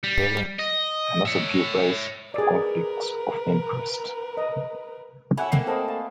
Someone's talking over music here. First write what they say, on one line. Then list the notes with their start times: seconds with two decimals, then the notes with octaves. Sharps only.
Vereins can also give rise to conflicts of interest.
0.04 G3
0.59 D#5
1.25 C#5 E5
2.34 G#4 A#4 B4 D5
4.37 D#5
5.37 E4 A4 C#5 E5 F#5 G#5 B5
5.52 A3 A#3 C4
5.67 A4 B4 C5 D#5 F5 A5
5.88 F5 A5